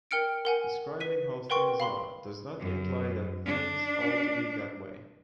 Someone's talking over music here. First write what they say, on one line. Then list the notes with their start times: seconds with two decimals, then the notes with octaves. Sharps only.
Describing how things are does not imply that things ought to be that way.
0.11 A#4 G5 F6 C#7 D7
0.45 A#4 F#5 G#5
1.00 B4 B6 D#7
1.50 A#4 B4 F#5 G5 C6 C#6
1.80 F5 B5 C6
2.59 F#2
3.45 D4